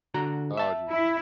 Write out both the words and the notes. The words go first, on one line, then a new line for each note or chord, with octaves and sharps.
Oh, geez
D3 F#4 A#5
E5 A5
E4